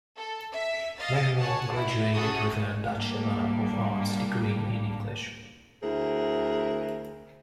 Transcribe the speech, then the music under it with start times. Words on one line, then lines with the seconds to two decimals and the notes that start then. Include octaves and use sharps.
Longwell graduated with a Bachelor of Arts degree in English.
0.18 A4
0.53 E5 B6
0.98 D#5 F5 A6
1.39 C#5 F#5 G#5 A5
1.74 E4
2.14 C#4 E4 F#4 G#4 A4 D#6
2.93 G3 A#3 D4
5.83 D2 E4 G#4 A#4 C5